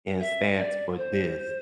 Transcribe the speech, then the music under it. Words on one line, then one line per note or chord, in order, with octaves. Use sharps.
and stance for this."
E5
D5
C5